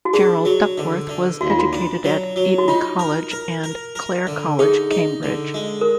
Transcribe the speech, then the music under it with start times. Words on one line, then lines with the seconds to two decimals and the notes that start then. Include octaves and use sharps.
Gerald Duckworth was educated at Eton College and Clare College, Cambridge.
0.05 F#4
0.13 D4 G#4
0.45 F#3
0.78 D3
1.09 D3
1.41 D#2 F#4
1.50 F4
1.59 F#4
1.73 D4
2.04 F#3
2.36 F#3
2.58 F#4
2.68 D#4 F4
2.99 A#4
3.31 A#4
3.64 A#4
3.95 A#4
4.27 D3
4.59 D#4 G#4
4.91 D#4
5.23 D3
5.54 G#3
5.81 A#4